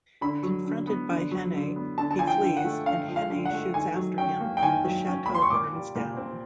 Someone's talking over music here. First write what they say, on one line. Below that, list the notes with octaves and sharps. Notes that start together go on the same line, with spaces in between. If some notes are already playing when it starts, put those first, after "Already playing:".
Confronted by Hannay, he flees, and Hannay shoots after him; the chateau burns down.
D3 B5
F#3
D3
B3
D3
F#3
D3
B3
D3 A5
A5
F3 G#5
G5
D3
F#5
A3
D3 F5
F3
F5
D3
F#5
A3
D#3 G#5
F#3
C#4 G5
A#3
G5
D#3 G#5
F#3
C#4
A#3 B5
C6
C#6
A#2 D6
G3
A#2
C4